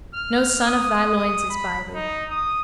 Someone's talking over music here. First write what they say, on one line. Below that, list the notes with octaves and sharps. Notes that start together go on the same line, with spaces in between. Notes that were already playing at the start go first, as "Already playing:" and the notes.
No son of thy loins is by thee.
F6
D#6
D#6
B5
D#4
D#6